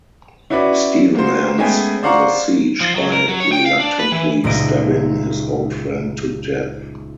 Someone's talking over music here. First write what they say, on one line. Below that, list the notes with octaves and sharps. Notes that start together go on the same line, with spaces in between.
Steven ends the siege by reluctantly stabbing his old friend to death.
C#4 E4 F#4 B4 D5
A#3 F#4 C5
G#3 A3 B3 C#4 G5 G#5
C5 D5 F5 F#5 A#5 C#6
F3
F#3
A#4
F#3
C#5
G5
F5
D4
B4
E3
D#1 C#2 D#5 D7